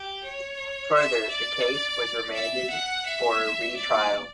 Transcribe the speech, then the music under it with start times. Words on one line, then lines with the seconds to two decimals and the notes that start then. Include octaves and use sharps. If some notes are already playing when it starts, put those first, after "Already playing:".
Further, the case was remanded for a re-trial.
Already playing: G4
0.24 C#5
0.94 E5
1.29 D5
2.35 E5
2.69 F#5
3.05 E5
3.76 D5